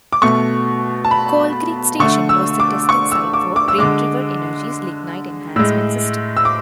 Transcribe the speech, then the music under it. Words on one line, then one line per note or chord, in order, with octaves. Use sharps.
Coal Creek Station was the testing site for Great River Energy's Lignite Enhancement System.
D6
B2 A3 C#6
A5
B5
D3 A3 C#6
E6
D6
C#6
E6
D6
D6
E6
D3 G#3 D6
A2 G#3 E6
E6
D6